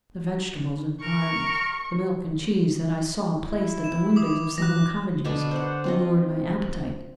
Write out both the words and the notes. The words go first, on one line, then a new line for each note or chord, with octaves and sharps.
The vegetables in the gardens, the milk and cheese that I saw placed at the windows of some of the cottages, allured my appetite.
A#4 C#6
E4
E7
D6 D#6
E3 F#6 A#6
B2 D3 B3 D4
C5 F#5
C4 F4 D#5